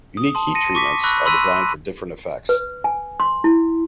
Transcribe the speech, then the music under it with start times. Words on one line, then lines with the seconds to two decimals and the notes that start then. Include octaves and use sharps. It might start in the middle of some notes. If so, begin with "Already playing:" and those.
Unique heat treatments are designed for different effects.
0.17 D#6
0.35 A5 C6
0.55 A#6 C#7 D#7
0.75 C#6 D6 B6
1.03 B5 C#6 E6 F#6 A#6
1.25 B5 C6 E6 B6 D#7
2.49 B4
2.84 G#5
3.20 C6
3.44 E4